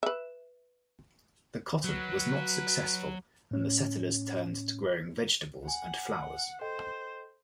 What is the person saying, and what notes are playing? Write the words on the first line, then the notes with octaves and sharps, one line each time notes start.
The cotton was not successful and the settlers turned to growing vegetables and flowers.
B4 E5
F#3 B4
A2 C#4
F#5 G#5
A4 C5 D#5 G5